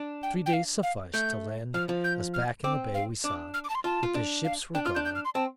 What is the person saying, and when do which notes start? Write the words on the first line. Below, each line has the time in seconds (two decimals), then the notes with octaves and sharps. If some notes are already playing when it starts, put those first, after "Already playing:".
Three days sufficed to land us back in the bay we sought, but the ships were gone.
Already playing: D4
0.23 G5
0.46 G5
0.53 F5
0.83 F5
1.14 A3 G6
1.74 F3 F6
1.89 F3
2.04 G6
2.34 F6
2.64 C4 D6
2.94 F5
3.24 D4 D6
3.54 F6
3.64 D6
3.70 A5
3.75 C6
3.84 F4 A5
4.03 F4
4.15 D4
4.44 F5
4.75 D4 G5
4.85 F4 F6
4.95 D4 G6
5.05 G6
5.15 F6
5.25 C6
5.35 C4 A5